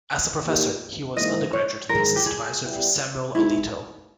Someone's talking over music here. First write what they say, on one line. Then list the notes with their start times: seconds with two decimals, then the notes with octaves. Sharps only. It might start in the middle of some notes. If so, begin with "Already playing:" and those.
As a professor, he was undergraduate thesis advisor for Samuel Alito.
0.44 A#2 A#3 D#4 G4
1.17 G#2 E3 A#3 D#5
1.53 C#5
1.89 G#2 D#3 G#3 A#4
2.16 G4
2.26 G#4
2.62 G3 B3 E4 G4
3.35 B2 G#3 D#4 E4